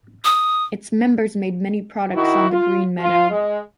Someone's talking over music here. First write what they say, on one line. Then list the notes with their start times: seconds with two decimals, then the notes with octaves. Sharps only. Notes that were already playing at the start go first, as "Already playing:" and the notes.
Its members made many products on the 'green meadow'.
0.24 D#6
2.14 D#3 E4 F#4
2.50 F4
3.00 F4
3.31 G#3